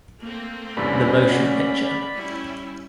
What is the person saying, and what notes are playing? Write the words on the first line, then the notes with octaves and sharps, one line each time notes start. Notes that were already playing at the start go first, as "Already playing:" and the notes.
The Motion Picture.
A3 A#3 C4
E2 G2 C3 C#4 D5 B5
D#5 F#5
G3 C#4 E4